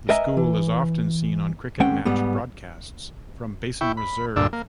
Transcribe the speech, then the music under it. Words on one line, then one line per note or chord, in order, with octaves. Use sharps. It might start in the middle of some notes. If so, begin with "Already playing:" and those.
The school is often seen on cricket match broadcasts from Basin Reserve.
A#4 B4 D#5 E5 G#5 A#5
E3
D#2 G#3 C4 C#4 F#5 G5
G#2 G3 B3
E4 G5 C#6
B5
D2 G2 A#2 D4 E6
A#3